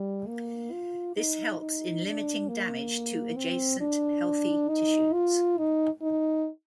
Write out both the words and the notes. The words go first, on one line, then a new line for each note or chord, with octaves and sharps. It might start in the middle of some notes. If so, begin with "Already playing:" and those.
This helps in limiting damage to adjacent healthy tissues.
Already playing: G3
A#3
F4
D#4
D#4
D4
A#3
C4
D4
D#4
F4
D#4
D#4